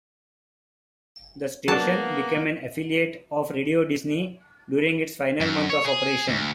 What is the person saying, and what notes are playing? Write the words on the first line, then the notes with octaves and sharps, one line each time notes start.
The station became an affiliate of Radio Disney during its final month of operation.
F#3 A#3 B3 D4 A5
F#2
C#5
G#4
D2